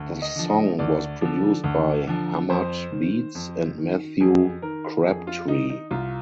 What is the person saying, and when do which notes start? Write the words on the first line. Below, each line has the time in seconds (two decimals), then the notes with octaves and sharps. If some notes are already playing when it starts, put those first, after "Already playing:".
The song was produced by Hammad Beats and Matthew Crabtree.
Already playing: D2
0.22 D#5
0.36 D3 F3
0.50 D#5
0.79 D2 D5
1.21 D3 F3
1.64 D2
2.07 D3 F3
2.50 F2 C5
2.92 D#3
3.35 F2
3.78 D#3
4.20 F2 G#4
4.62 D#3 A#4
5.05 F2 G#4
5.27 F4
5.47 D#3 D#4
5.70 D#4
5.91 C2 F4